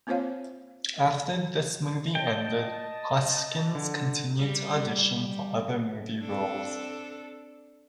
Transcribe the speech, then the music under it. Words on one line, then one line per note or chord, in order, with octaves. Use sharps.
After this movie ended, Hoskins continued to audition for other movie roles.
A#3 C4 F4 C5 C#5 F5
D#5 G5 A5
D3
G3
C4 D4 A4